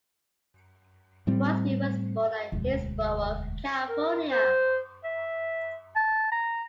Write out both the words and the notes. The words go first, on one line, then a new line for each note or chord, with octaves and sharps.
Crosby was born at Hillsborough, California.
A2 G3 C4
E1 D2
A#4
C5
E5
A5
A#5